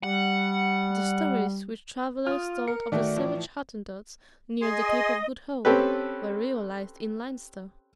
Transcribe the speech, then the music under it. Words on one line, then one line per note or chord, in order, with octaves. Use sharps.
The stories which travellers told of the savage Hottentots near the Cape of Good Hope were realised in Leinster.
G3 F#5
F4 D#6 F6
A#4 C#7
D#3 A3 F#4 D5
A2 E3 F3
G#4 D#5 G#5 C6
C4 C#4 G4 A4 B4